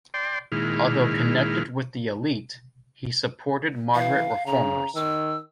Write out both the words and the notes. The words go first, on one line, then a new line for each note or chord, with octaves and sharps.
Although connected with the elite, he supported moderate reformers.
D5 G5 C6
A#2 D#3 G#3 E4 F6
E3 F5
C#3 A#5
D#3 E6